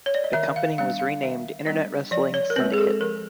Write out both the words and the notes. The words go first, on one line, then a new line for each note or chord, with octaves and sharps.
The company was renamed Internet Wrestling Syndicate.
C#5
D5
D#5
D#3 E5
F5
G3 B3 D4 F5
F5
D#3 E5
G3 B3 D4 D#5
F3 D5
C#5
A#4
G#3 C4 B4
G#4
A4
F3 A#4